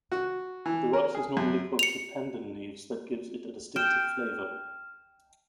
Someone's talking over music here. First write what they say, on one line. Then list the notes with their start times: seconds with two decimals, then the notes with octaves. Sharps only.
The rice is normally cooked with pandan leaves that gives it a distinctive flavour.
0.12 F#4
0.66 E3
0.93 A#4
1.15 G#4
1.37 F#2
1.79 C#7 F7
3.76 G5 F6 E7